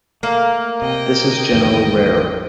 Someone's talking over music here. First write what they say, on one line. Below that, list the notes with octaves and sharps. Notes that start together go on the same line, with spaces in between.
This is generally rare.
A3 A#3
C3 D#5 G5
A1 F2 D#3